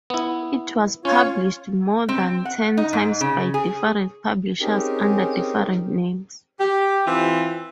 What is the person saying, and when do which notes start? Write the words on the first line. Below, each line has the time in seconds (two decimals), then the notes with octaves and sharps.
It was published more than ten times by different publishers under different names.
0.10 B3 E4
1.05 C#4 F4 C#5
2.09 C4
2.45 F#5
2.77 D#4
2.93 G#2
3.21 C#3
3.54 G#4
4.61 C4 C#4 D#4 G4 G#4 A#4
6.59 G4
7.06 E3 C4 F4